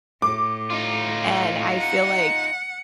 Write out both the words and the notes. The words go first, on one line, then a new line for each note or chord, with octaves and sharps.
and I feel like
A2 D6
D#4 F4
F#5